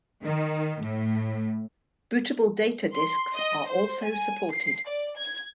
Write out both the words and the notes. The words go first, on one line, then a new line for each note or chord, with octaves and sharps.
Bootable data discs are also supported.
D#3
A2
C6
D#5
C5
G#5
C7
D5
G#6